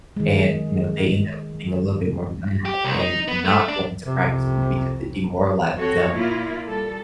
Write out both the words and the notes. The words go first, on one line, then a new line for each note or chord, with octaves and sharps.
and, you know, they end up getting a little bit more mad and and not wanting to practice on it because it demoralizes them
D#3 G#3
G4
C2
D#4
B3
A3
D4
C2 F2 C3
C4 F#4 A4 C#5
A#2 A#3 E4 F4
G3 A4